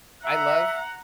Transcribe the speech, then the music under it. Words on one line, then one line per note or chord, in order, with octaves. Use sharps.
I love
E5 F#5 A#5